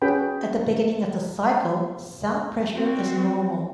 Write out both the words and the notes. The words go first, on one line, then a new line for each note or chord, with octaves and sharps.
At the beginning of the cycle, sound pressure is normal.
C#4 F#4 G#4 B4 G5 B5
C4 F#4